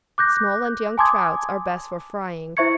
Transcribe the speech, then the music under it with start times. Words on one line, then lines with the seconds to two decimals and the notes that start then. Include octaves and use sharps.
Small and young trouts are best for frying.
0.18 D6 F#6 G6 A#6
0.98 G#5 A5 C6 D6 D#6 G#6
2.57 E4 C5 E5 C#6 G#6 C#7